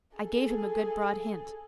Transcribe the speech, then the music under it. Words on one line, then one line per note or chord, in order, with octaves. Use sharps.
I gave him a good broad hint.
G#4 A4